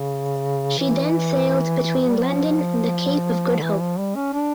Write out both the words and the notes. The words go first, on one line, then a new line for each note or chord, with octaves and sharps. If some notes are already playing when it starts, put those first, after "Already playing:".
She then sailed between London and the Cape of Good Hope.
Already playing: C#3
E3
G3
F3
D3
E3
F3
G3
C#4
D4